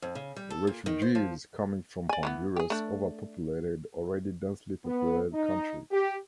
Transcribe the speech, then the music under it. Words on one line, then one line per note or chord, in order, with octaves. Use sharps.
The refugees coming from Honduras overpopulated the already densely populated country.
F2
C#3
G3
A4
A#2
D#3
C5
F3
D5 G#5
E3 F#3 B3
G4 G#4
A3 D4
B3
D#4
G4